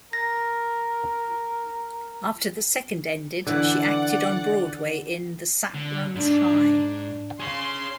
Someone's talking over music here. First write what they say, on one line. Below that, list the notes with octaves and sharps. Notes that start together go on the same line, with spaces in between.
After the second ended, she acted on Broadway in "The Sap Runs High".
A#4 A#6
D3 E3 D5 F#5
D3
G#2 D4
G#4 C#5 C6